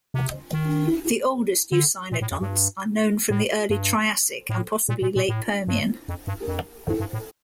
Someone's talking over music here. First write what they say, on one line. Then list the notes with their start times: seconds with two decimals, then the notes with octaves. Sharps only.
The oldest eucynodonts are known from the Early Triassic and possibly Late Permian.
0.14 C3
0.53 D#3
1.72 D3
2.12 A#2
2.21 A2
2.32 F2
2.42 G2
3.30 A2
3.70 G2
4.49 A2
4.89 A#2
5.02 A#2
5.16 A#2
5.29 A2
5.68 G2
6.08 F2
6.27 G2
6.48 F2
6.88 G2
7.00 G2
7.13 A2